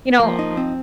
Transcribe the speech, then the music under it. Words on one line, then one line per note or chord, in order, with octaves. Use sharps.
you know,
F3 A#3
D#4
C4